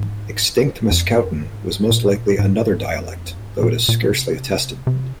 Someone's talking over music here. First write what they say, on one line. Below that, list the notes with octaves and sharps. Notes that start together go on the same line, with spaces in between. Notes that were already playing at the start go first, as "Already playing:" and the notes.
Extinct Mascouten was most likely another dialect, though it is scarcely attested.
Already playing: G#2
F2
G#2
F2
G#2
A#2
G#2
F2
G#2
A#2
A#2
C3
C3